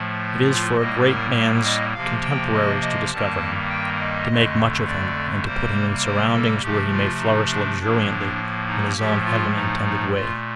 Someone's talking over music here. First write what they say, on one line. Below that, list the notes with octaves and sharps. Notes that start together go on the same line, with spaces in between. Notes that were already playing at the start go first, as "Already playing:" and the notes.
It is for a great man's contemporaries to discover him, to make much of him, and to put him in surroundings where he may flourish luxuriantly in his own heaven-intended way.
Already playing: A2 F3 A3
F4
A2 G3 A#3 D#5
A#4
D#5
C3 F3 A#3 F5
G5
D#5
D#5
G2 D#3 G3 A#3 A5
G5
D#5
F2 D3 A3
D5
C3 G3 A#3 C5
C5
A4
C3 F3 A3 G4
F4
D#4
D4
A2 F3 A#3 D4
D#4
A2 F3 A3 G4
F4
D#4
D#4
A#2 A3 F4